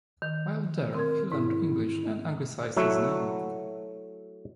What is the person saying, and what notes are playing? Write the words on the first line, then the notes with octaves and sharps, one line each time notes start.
While there, he learned English and anglicized his name.
D#3
C4 A#4 C6 G#6
G#2 E4
F#3 A3 E4 F#4